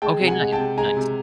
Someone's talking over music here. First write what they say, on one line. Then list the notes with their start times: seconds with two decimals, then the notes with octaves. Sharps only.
Okay, nice, nice.
0.02 G#3 G5 A5
0.21 C3
0.27 F#5 G#5
0.40 G#3
0.52 G5 A5
0.58 C3
0.78 G#3 G#5 A#5
0.97 C3